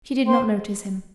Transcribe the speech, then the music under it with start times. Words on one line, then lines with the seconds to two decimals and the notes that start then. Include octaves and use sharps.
She did not notice him.
0.25 C5 G5 C6